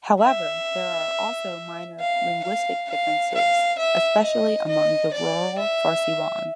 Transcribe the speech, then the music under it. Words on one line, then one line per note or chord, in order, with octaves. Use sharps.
However, there are also minor linguistic differences especially among the rural Farsiwan.
E5
F5
F5
F5
F5
E5
D#5
D#5
D5
E5